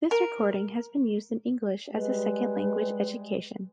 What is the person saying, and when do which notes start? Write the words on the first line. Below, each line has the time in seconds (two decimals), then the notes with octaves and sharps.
This recording has been used in English as a second language education.
0.11 A#4
1.93 G3 G#3 B4